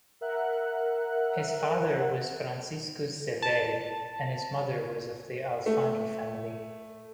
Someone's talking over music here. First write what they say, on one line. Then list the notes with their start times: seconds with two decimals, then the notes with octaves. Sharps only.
His father was Franciscus Severi, and his mother was of the Alfani family.
0.21 A#4 E5 F#5 F#6
3.42 A5
5.66 A3